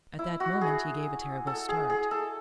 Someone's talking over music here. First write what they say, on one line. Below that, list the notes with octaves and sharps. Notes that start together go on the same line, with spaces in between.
At that moment, he gave a terrible start.
E4
F#4
G#4
A4
G#4
G#4
A4